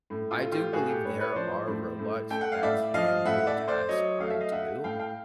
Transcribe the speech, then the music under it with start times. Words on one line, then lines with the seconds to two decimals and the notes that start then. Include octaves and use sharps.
I do believe there are robots that can do the task I do,
0.10 A2
0.31 F4
0.42 A3
0.52 F4 G4
0.73 A2 F#4 G#4
0.89 G4 A4
1.05 A2 B4 C#5
1.20 B4 C#5
1.36 F3 C5 D5
1.68 A2
1.99 A2
2.30 A3 G5
2.41 F#5
2.52 F5
2.63 A2 D5 E5
2.94 F3 D#5 F5
3.25 A2 E5 F#5
3.47 D5 E5
3.57 A3
3.67 C5 D5
3.89 F#3 C#5 D#5
4.20 A3 F5
4.30 E5
4.40 D#5 F5
4.52 A3 E5 F#5
4.84 A2 F5 G5
4.99 F5 G5